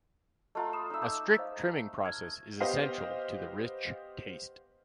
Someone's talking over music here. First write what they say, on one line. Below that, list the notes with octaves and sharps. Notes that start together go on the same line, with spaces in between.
A strict trimming process is essential to the rich taste.
A3 F4 D#5 A5 A#5
B5 D#6 E7
D#4 E5
D6 E6 G6
C5 D#5 F5
F6 G#6
B3 G4 C5 D#5 F5